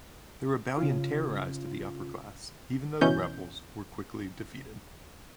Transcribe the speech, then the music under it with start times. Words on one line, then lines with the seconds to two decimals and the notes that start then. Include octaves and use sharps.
The Rebellion terrorized the upper classes, even though the rebels were quickly defeated.
0.78 C#3 F4
3.01 B2 E3 C#4 G6